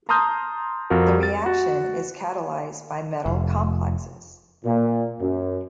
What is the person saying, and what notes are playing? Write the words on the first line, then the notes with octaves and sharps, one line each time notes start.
The reaction is catalyzed by metal complexes.
A5 A#5 C6 D#6 F6 G6
F2 F4 F#4 A#4
A6
F#4
F1
A#2
F#2